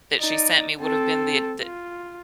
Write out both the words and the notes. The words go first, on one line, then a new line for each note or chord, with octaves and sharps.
that she sent me would have been the the
D#4 D5
C4 A4
F4